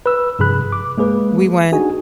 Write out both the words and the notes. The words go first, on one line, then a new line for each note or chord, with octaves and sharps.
We went
B4 E6
G2 C3 F3 G#4 B5 F#6
D6
G#3 A#3 G#4 B4
D4 D#4 F#4 G#4 G#5